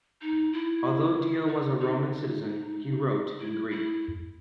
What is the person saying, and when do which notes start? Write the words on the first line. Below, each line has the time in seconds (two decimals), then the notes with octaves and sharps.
Although Dio was a Roman citizen, he wrote in Greek.
0.21 D#4
0.53 E4
1.48 D#4
1.80 D#4
3.38 E4
3.71 E4